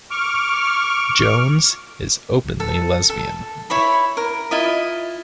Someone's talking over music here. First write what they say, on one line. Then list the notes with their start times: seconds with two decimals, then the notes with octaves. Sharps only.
Jones is openly lesbian.
0.11 C#6 D6 F6
2.60 A4
3.09 A4
3.70 E4 C#5 B5
4.17 A#4
4.51 E4 F4 D#5